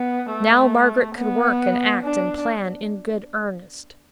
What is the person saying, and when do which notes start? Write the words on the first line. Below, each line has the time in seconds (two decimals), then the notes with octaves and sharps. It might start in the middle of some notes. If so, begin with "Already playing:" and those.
Now Margaret could work, and act, and plan in good earnest.
Already playing: B3
0.31 A3
1.16 B3
2.03 D4